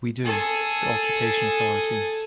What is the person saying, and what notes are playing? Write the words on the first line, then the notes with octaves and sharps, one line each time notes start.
We do, the occupation authorities.
G#4 A4